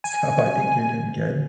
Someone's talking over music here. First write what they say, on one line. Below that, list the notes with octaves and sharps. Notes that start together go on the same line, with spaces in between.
so I think you're doing good,
G#5